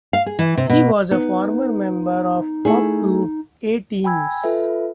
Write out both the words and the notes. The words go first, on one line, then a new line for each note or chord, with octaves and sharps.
He was a former member of the pop group A-Teens.
F5
G#4
E3
C3
B2
B3 D#4
A3 E4 G#4
G5 G#5 B5 E6 G#6
F4 A4 B4 E5